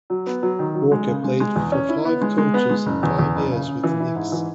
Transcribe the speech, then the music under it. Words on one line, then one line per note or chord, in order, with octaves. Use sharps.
Walker played for five coaches in five years with the Knicks.
F#3
B3
F#3
D#3
F#3
G#3
C#3
G#3
G#3
E2
C#4
E4
B3
G#3
G#3
B3
G#3
F#1
E2
E2
F#1
C#3
C#3
E3
E4
G#2
E3